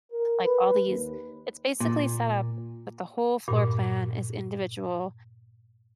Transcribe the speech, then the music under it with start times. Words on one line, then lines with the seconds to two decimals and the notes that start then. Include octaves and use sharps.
like, all these it's basically set up but the whole floor plan is individual,
0.12 A#4
0.44 B4
0.86 D#2
1.80 A#2
3.48 G2 A#2